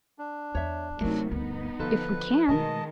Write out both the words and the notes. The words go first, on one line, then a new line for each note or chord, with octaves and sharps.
"If--if we can."
D4
E2 C#5 E5
C3 F#3 A3 D#4 A#4
D2 G2 B3 D#4
D3 F3 A4 B4
B2 D#3 G#3 A3 A#4 D#5 A5